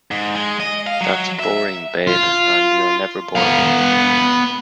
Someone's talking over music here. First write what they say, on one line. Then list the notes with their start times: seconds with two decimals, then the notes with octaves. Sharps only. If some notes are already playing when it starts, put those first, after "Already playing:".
That's boring, babe, and you're never boring!
0.11 G#2
0.35 G#3
0.60 D#5
0.87 F5
1.01 F#3
1.39 E5
2.07 F4
3.35 B3 F5